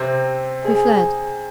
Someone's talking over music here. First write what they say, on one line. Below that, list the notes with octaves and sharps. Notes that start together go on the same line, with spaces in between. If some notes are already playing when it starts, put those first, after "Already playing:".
We fled.
Already playing: C3 C4
G#4